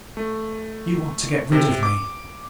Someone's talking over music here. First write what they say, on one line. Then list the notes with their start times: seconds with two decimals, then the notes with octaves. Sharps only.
'You want to get rid of me!
0.17 A3
1.52 C3
1.83 D6